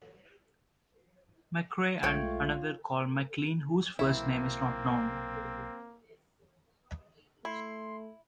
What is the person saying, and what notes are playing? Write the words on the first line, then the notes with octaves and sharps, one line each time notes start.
McRae, and another called MacLean, whose first name is not known.
B1 G#3 A3 F4 C#5 G5
B1 C3 E3 A#3 C4 E4
A3 E4 C6